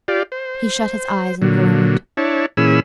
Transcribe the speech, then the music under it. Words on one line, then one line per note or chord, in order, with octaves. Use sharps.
He shut his eyes and groaned.
F4 G4 D5
C5
A#2 D3 F#3
D4 E4 C#5 A5
A#2 E3 C#4 G#4 B5 E6